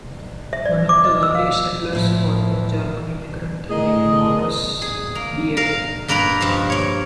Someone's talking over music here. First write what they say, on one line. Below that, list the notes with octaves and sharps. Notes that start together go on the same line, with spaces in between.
One of the earliest settlers was a German immigrant named Maurus Biehle.
E5
D5
D6
D#5
E6
F5
A2 F3 E4
A2 G#4 A#4 D#5
G#4
A#3
A#4 F5
G2 A#3 A#4 B4 A#5
G2 F3 G#3
A#3 C#5